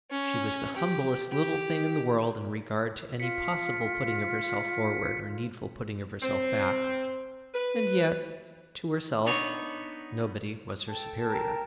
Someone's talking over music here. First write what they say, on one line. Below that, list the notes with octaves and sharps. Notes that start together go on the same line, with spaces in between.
She was the humblest little thing in the world in regard to any possible putting of herself forward or needful putting of herself back; and yet, to herself, nobody was her superior.
C#4
G4
G4
F4 B6 C#7
C4
B4
B3 D4 D#4 C#5
A4 G5 A5
A#4